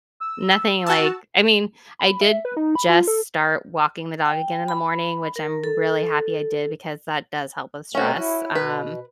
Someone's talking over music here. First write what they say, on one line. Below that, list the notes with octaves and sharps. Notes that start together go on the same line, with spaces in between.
nothing like I mean, I did just start walking the dog again in the morning, which I'm r really happy I did because that does help with stress, um.
E6
F#4 A5
B5
E5
B4
D#4
B5
F4
A4
G5
B5
A#4
A4
B2 A3 C4 C#4 F#4
E4
B2 B4